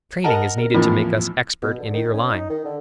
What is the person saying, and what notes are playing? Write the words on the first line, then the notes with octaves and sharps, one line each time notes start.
Training is needed to make us expert in either line.
A#4 D#5 F#5 A5 A#5
A#4
F2 A2 E3 F3 A#3
B2
D3
D#3
C#4
D#4
D#3
D3